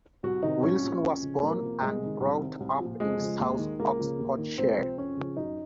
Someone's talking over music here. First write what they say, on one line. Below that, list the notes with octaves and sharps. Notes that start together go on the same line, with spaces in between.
Wilson was born and brought up in south Oxfordshire.
C2 F#4
C3 D#3 D#4
C2 C#4
A#2 F3
F2
C#3 F3
C2 A#3
C3 F3
C2 G#3
C3 D#3
C2
C3 D#3
C2
A#2 F3
F2 G#3
C#3 F3
D#2
D#3
C#2 A#3
C#3 F3
D#2
D#3
C#2 C4
C3 F3
F2 C#4
C#3 F3
F#2 D#4